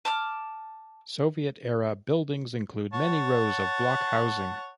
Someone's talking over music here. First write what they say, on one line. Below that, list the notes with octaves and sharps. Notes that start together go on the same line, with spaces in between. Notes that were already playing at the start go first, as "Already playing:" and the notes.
Soviet-era buildings include many rows of block housing.
A5 D6 F6
C#5 F#5 A5